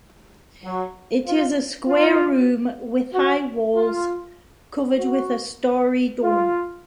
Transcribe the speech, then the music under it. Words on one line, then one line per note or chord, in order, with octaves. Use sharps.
It is a square room, with high walls, covered with a starry dome.
F#3
F4
F4
F#4
F4
F#4
F4